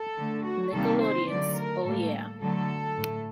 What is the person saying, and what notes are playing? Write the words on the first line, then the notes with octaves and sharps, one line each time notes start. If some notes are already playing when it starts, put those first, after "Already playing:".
Nickelodeon's Oh Yeah!
Already playing: A4
D3 A3
F#4
C3 D#3 G3 A#3 A4
C5
D3 F#3 A3 D5
A#4
A2 G3 A#3 A4
D3 F#3 A3 A4
A2 A3